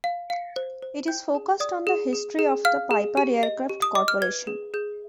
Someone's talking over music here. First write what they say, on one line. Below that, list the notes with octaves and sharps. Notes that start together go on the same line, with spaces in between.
It is focused on the history of the Piper Aircraft Corporation.
F5
F5
C5
C5
G5 G6
G#4
D5 D#6
G#4
G#4
G#4
F5 F6
G#4
G4
D#5
G4
D#6
D#5 D6
F6
B4 G#6
G#4
G#4 G6